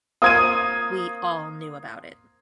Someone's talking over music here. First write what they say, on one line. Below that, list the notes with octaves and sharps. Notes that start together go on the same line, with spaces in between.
We all knew about it.
A#3 C4 F4 D#6 G#6 D#7